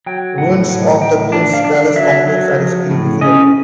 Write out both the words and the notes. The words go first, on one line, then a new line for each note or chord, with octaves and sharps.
Ruins of the Prince's Palace Complex are still visible.
F#3 G5
A2 F#5
A2 F#5
A2 G5
D4
F5
D4
F5
F#3 E5
F#3
F3
A2
C#4 D#5